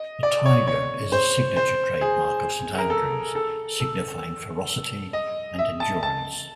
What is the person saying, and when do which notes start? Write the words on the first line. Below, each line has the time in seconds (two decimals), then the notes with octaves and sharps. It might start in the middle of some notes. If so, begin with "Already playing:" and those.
The tiger is a signature trademark of Saint Andrew's, signifying ferocity and endurance.
Already playing: D#5
0.23 D5
0.46 C#5
0.67 C#5
1.12 C5
1.56 C5
2.01 G#4
2.78 A#4
2.90 A4
3.35 A4
3.80 A4
5.13 D#5
5.59 E5
5.80 A5
6.03 A5